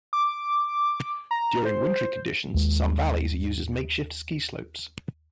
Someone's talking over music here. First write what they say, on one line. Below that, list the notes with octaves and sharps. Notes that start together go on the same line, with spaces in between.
During wintry conditions, some valleys are used as makeshift ski slopes.
D6
A#5
C5
D#2 G#3